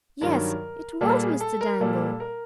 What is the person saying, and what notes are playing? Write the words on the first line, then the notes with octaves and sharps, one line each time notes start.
"Yes--it was Mr. Dangle."
G2 D#3 F#3 A#4
A#2 G3 A#3 A4
G#4
A4
A#4
A#2 G3 A#3 A4
A#4